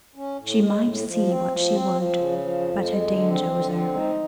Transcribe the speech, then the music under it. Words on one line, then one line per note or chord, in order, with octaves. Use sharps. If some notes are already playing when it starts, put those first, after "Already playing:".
She might see what she would, but her danger was over.
C#4
A2
G#3
A2
F3
C4
F3
C4
F3
C#3
F3
F2
G#3
D3
C4
D3
C4
D#4